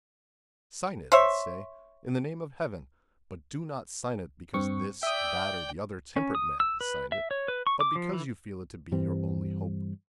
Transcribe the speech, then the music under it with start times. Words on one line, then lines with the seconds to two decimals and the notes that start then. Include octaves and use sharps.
Sign it, I say, in the name of Heaven; but do not sign it because this, that, or the other temperate man has signed it, but because you feel it to be your only hope.
1.12 C5 C#5 E5
4.54 G2 C4 C#6
5.03 D5 E5 G5 D#6
6.16 C#4
6.35 D#6
6.60 E6
6.81 B4
7.12 E5
7.31 C#5
7.48 B4
7.67 C#6
7.80 D6
7.95 F3
8.13 E3
8.92 G2 E3 G3 C4